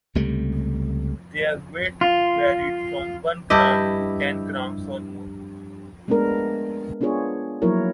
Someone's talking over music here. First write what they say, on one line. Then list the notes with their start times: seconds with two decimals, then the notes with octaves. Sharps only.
Their weight varied, from one gram to ten grams or more.
0.15 C#2 C3 G3 A3
2.01 F4
3.50 G2 E4 G4 D#5
6.08 G#3 A3 B3 D4 A#4
7.01 B3 D4 F4 G#4 C#5
7.62 F3 F#3 A#3 E4 A#4 C#5